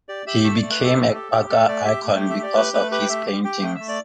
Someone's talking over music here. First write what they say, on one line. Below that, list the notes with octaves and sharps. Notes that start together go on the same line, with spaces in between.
He became a Quaker icon because of his paintings.
G4 D5
G4 E5
A3 E5
A3 D5
B4
G4 A4
A3
G4
G4
A3 A4
A3 D5
G4 E5
A3
G4 G5
E5
G4 D5
A3 B4
A3 B4
G4 B4
G5
A3 E5
G4
G4 G5
A3 G5
A3 E5
D5